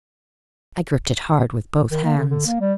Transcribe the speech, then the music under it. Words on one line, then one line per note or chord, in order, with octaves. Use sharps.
I gripped it hard with both hands.
D#3
A#3
D3
D3
A#3
G3